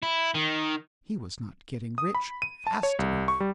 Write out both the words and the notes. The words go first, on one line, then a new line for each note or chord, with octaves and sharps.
He was not getting rich fast enough.
E4
D#3
D#6
B5
D#7
A5
C#5
C2
C#6
G3